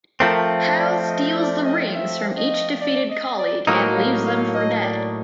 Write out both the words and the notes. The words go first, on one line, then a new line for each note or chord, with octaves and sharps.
Hal steals the rings from each defeated colleague and leaves them for dead.
F3 A3 C4 A#4
C5
D5
D#5
D5
D#5
E5
D#5
D5
D#5
D5
A2 F#3 A#3 D#4 C5
F5
F5
D#5
D5